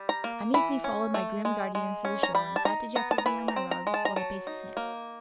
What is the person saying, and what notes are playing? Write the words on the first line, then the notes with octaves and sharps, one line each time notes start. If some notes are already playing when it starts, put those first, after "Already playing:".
I meekly followed my grim guardians to the shore and sat dejectedly on my rug while they paced the sand.
Already playing: G3
A#5
A#3
E3 B5
C#4
A3
G#3
G#3
C#4
A#5
G3 B5
A5
D#4 A#5
B3 A#5
A5
A#5
E3 B5
A#5
C4
A#5
G#3
A5
A#5
F#3 A5
D#4
A#3